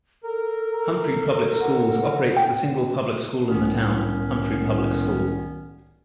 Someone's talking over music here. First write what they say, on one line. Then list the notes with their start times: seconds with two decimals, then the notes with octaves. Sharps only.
Humphrey Public Schools operates the single public school in the town: Humphrey Public School.
0.24 A4 A#4
0.72 A#5
1.60 F#5
2.37 G5
3.49 C2 A2 D#3 B3 C#4